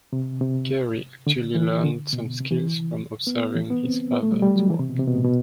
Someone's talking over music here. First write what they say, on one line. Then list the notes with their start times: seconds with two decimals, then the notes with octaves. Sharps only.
Gerry actually learned some skills from observing his father at work.
0.13 C3
0.41 C3
1.27 D3
1.55 E3
1.84 D3
2.13 B2
2.41 C3
2.51 E3
3.27 B3
3.55 E3
3.70 B3
3.84 C4
4.13 B3
4.23 A3
4.32 G3
4.42 G3
4.55 F#3
4.70 E3
4.80 C3
4.90 B2
4.99 C3
5.07 B2
5.15 A2
5.24 B2